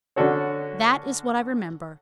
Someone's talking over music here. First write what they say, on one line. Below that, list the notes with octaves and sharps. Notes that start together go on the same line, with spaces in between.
That is what I remember.
D3 C#4 D4 F#4 A4 C#5